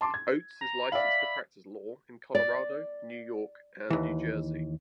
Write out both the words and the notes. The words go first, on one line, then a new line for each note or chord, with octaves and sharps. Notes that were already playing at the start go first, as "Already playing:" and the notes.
Oates is licensed to practice law in Colorado, New York, and New Jersey.
A5 C6 D6
G#6
A#5
D5 E5 F5 B5
D5
D#2 E3